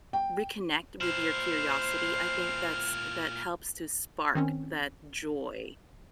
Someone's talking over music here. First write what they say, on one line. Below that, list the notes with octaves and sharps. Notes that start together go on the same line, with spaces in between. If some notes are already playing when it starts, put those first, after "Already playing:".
reconnect with your curiosity, I think that's that helps to spark that joy
G5
A#2 E4 C5 F6
D#3 C4 C#4